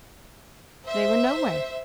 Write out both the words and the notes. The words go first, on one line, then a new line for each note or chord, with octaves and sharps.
They were nowhere.
C5 E5